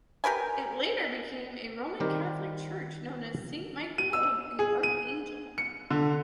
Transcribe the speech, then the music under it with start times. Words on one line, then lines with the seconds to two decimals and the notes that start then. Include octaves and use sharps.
It later became a Roman Catholic church known as "Saint Michael of the Archangel".
0.24 G4 A#4 B4 G#5
2.00 D#3 G3 C4 G4 A#4
3.98 D#7
4.13 E6
4.59 G#4
4.83 D#7
5.58 C#7
5.91 D3